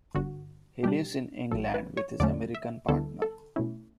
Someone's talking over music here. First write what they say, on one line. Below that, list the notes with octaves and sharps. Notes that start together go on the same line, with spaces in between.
He lives in England with his American partner.
G1 G2 D3 F#4
B2 G3 D4 G4
A1 A2 F#3 A4
B4
C#5
E2 D3 F#3 A3 C#4 D5
E5
D2 D3 G3 B3 E4 A4
A4
B2 A3 C#4 E4